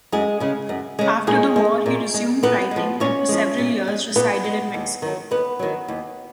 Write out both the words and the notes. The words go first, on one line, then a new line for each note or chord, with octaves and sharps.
After the war he resumed writing, and for several years resided in Mexico.
F#2 G#3 G#4
C#3 G#3
F#2
C#3 G#3
A#2 G#3 G#4
G#3
A#2
G#3
A#2 B3 B4
F3 G#3
A#2 C#4 C#5
F3 G#3
A#2
G#3
A#2 B3 B4
G#3
D#2
D#3 F#3
D#2 B3 B4
D#3 F#3
D#2